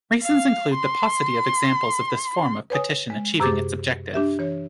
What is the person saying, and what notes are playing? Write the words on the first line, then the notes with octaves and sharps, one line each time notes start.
Reasons include the paucity of examples of this form of petition achieving its objective.
F5
C6
B4 C#5 G#5 D#6
G#3
F#2 C3 G4 G#4 D6 A6
D4 G4 E5
E3 C#5